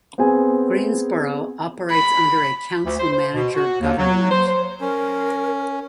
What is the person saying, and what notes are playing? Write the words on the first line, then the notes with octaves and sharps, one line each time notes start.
Greensboro operates under a council-manager government.
B3 C4 G#4 G#5
B5
D2
C5
C5
B2
F#4
D#2
F#3
C5
C5
C#4 A#4